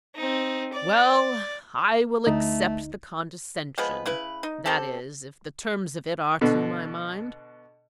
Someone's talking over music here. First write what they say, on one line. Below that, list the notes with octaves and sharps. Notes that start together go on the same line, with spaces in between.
"Well, I will accept the condescension--that is, if the terms of it are to my mind."
C4 D#4
D5
D2 A3 D#4
F3 G#3 B3 B4
C#3 E4 B4
D#4
C4 G4 A4
B2 D3